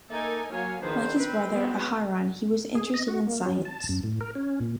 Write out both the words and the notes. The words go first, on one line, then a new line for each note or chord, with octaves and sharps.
Like his brother, Aharon, he was interested in science.
A3 A#3 D#4 A4 A#4 G#5
F#3 A#3 C#5 F5 G#5
E2 D#3 F3 D4 B4 C5
C4 B4
F#3 G#3 B3
G#4
D#5
F#4
A#3
F#3
A5
F#2
A2
A#4
C#4
A#2